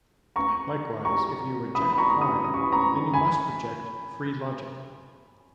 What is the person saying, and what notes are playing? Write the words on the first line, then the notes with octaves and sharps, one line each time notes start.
Likewise, if you reject Quine then you must reject free logic.
A#5 C#6
A#5 C#6
B5 D#6
B5
A#5 C#6
B5 D#6
D#6
C#6
B5
A#5 C#6
G#5 B5